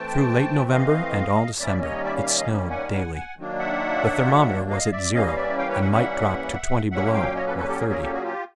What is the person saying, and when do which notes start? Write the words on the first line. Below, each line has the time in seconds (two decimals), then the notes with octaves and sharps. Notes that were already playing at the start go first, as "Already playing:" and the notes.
Through late November and all December it snowed daily; the thermometer was at zero and might drop to twenty below, or thirty.
Already playing: E3 A3 C4 G5 A5
0.71 D#5 F5
1.60 D#3 G3 A#3 C#4 D5 E5
1.82 C#5 D#5
2.04 D5 E5
2.17 F5
2.26 D5 E5
2.37 D#5 F5
2.70 F#5 G#5
2.92 F#5 G#5
3.14 F#5 G#5
3.37 D#3 F#3 A#3 D4
3.59 E5 F#5
4.70 D#5 F5
4.91 D5 E5
5.13 E3 G3 A#3 C#4 D#5 F5
5.27 F5
5.36 D5 E5
5.58 F5 G5
5.69 B4 C#5
5.76 G5
5.80 E5 F#5
5.92 E5 F#5
6.91 A#2 F#3 A#3 C#4 E5 F#5
7.13 F5 G5
7.35 C#5 D#5
7.47 A4 B4
7.57 A4 B4
7.69 G4 A4
7.80 G#4 A#4
7.91 G#4 A#4
8.02 G4 A4
8.13 F#4 G#4
8.24 F4 G4